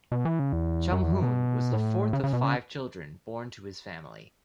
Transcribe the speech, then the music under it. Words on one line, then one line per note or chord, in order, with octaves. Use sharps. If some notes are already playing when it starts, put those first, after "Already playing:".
Chung-Hoon was the fourth of five children born to his family.
B2
E3
C#3
E2
F#2
E2
F#2
B2
A2
C#3
C#3
B2
C#3